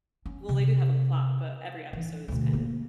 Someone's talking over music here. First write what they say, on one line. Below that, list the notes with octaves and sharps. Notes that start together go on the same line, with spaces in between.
Well, they do have a plot, but every episode is kind of
C#4
C3
E3
D2 B2
A#3